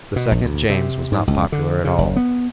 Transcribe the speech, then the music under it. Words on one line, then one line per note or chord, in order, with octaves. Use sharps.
The second James was not popular at all.
B2
A#1
D2
C3
G#2
C#2
D3
C#3
F#1
B3